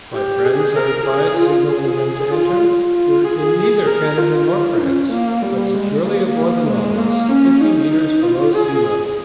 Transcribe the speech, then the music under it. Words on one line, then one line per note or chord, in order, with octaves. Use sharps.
"My friends," I replied, signaling them to enter, "you're in neither Canada nor France, but securely aboard the Nautilus, fifty meters below sea level."
G4
G#4
A#4
G#4
F4
G#4
F4
F4
G#4
A#4
F4
C#4
A#3
G3
G#3
A#3
G#3
A#3
C#4
D#4
F4
G#4